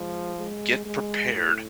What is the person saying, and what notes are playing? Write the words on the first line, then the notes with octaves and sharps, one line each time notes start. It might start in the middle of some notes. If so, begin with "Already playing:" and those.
get prepared
Already playing: F3 G#3
G#3
G#3
A2